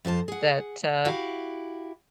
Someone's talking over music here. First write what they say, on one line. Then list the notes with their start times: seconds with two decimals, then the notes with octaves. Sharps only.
that, uh,
0.05 F2 F4 C5 A5
0.28 G#4 F#5
1.05 E4 F#4 G4 F5